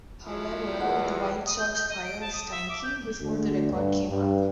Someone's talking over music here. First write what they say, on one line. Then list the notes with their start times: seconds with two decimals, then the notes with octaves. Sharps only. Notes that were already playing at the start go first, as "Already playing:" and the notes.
However, the White Sox fired Stanky before the record came up.
0.25 F3 F#3 E4
0.80 E2 F#5
1.46 D#6
1.59 G6
1.73 G6
1.89 D#5
2.04 D7
2.21 A5
2.33 D#6
2.51 E5
2.69 D6
2.83 G6
3.20 D2
3.71 G2
4.10 G2